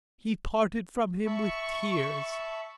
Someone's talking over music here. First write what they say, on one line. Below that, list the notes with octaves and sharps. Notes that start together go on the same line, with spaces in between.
He parted from him with tears.
E5 A5 B5 C#6